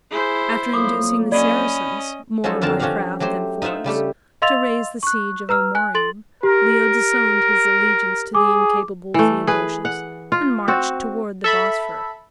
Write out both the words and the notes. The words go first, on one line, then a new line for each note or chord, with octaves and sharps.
After inducing the Saracens, more by craft than force, to raise the siege of Amorium, Leo disowned his allegiance to the incapable Theodosius and marched toward the Bosphorus.
E4 G#4 C5
F2 F#3 A#3 D6 D#6
C#4 D5 D#5 B5
F3 F#3 C#4 D#4 F#4 A4
F2 D3 C4 F4 A#4 A5
F3 C#4 F#4 G4 F5 F#5
F#3 A3 G4 C5
D#4 F4 C5 E5 F#5
C#3 G3 A3 G4
D#5 F5 C6 E6 A6 F7
C#6 F#6
B4 A#5 E6 F6
G#5 F#6
A4 C6 A6 F#7
G4 A#4
G#4 D6
E3 A3
G#4 B4
F#5
F4
C4 F#4
A4 E5 B5